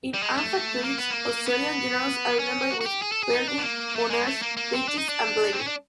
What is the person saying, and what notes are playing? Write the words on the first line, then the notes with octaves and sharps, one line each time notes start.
In Anzac Village, Australian Generals are remembered with Birdwood, Monash, Bridges and Blamey.
G3
G#3
A3
A#3
B3
A#3
B3
C#4
F#4
F#4
G4
G#4
A4
G#4
D#4
D4
B3
A#3
A3
G#3
A3
A#3
A#3
C4
D4
D#4
D4
C4
C#4
D4